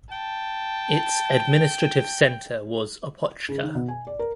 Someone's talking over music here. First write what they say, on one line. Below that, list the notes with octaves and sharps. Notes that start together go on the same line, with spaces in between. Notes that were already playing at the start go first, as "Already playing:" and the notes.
Its administrative centre was Opochka.
G5 A5
C#3
D#3
B2
G#5
D5
A#4